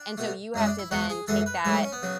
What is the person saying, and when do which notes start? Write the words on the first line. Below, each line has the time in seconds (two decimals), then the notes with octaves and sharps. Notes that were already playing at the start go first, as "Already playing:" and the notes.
and so you have to then take that
Already playing: D4
0.17 B2 A3
0.54 F#2 C#3 G#3 E4
0.66 D4
0.79 E4
0.91 E2 B2 G#3 F#4
1.10 G#4
1.28 F#2 E3 G#3 A4
1.46 B4
1.65 G#2 F#3 A3 B4
1.74 E4
1.83 C#4
1.92 B3
2.02 C#3 F#3